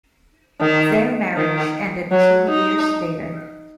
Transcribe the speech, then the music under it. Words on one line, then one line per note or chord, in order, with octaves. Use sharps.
Their marriage ended two years later.
D#3
D#3
F#3
D#4